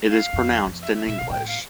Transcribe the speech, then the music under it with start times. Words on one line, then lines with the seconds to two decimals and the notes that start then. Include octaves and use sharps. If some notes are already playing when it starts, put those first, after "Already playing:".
It is pronounced in English.
0.10 F5
0.33 F2
0.50 E2
0.66 F2
0.82 E5
0.94 E5
1.06 A#2 E5
1.18 F5
1.21 A#2
1.30 A2 G5
1.47 F5